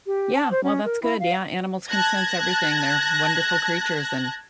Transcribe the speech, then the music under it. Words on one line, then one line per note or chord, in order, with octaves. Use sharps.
Yeah, well, that's good, yeah, animals can sense everything they're wonderful creatures and,
G4
A5
C5
C#4
A#4
E4
F5
A5 F#6 G#6 A#6